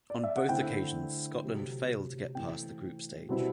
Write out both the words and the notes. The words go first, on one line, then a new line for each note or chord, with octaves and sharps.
On both occasions Scotland failed to get past the group stage.
D5
E5
F#5
D3 A3 C4 E4 G5
C3 F#3 A3
E3 A3 C4 G5
B2 G3 C4 E4